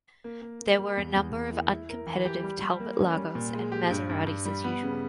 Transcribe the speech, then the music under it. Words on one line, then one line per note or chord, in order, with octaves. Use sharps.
There were a number of uncompetitive Talbot-Lagos and Maseratis as usual.
A#3
A#3
A#3
G3
E2
E2
A#3
E4
E4
A#4
E3
G4
G3
G3
A#3
C#4
G3
A#2
G#3
G4
G2
G2
G2
G3
B3
C#3